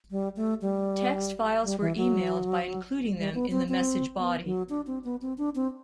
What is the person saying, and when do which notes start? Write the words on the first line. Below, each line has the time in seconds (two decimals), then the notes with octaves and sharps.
Text files were emailed by including them in the message body.
0.11 G3
0.36 A3
0.61 G3
1.64 G3
1.81 E3
1.97 F#3
3.17 G3
3.34 B3
3.51 C4
3.68 C4
4.18 B3
4.45 F#3
4.69 D4
4.87 C4
5.04 B3
5.22 C4
5.38 D4
5.55 C4